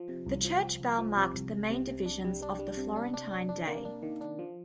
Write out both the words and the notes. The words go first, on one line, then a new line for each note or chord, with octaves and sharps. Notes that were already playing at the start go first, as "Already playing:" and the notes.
The church bell marked the main divisions of the Florentine day.
Already playing: F3
C3
C2
F3
F3
C2
F3
C3
C2
C3
C3
C3
D4
G3
D4
G3
C3
D4
D4
D4
D4
A#3
D4
D#3
D4
F3